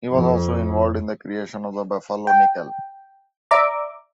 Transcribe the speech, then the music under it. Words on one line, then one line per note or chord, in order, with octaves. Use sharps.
He was also involved in the creation of the buffalo nickel.
F2
G5
D5 E5 A#5 D6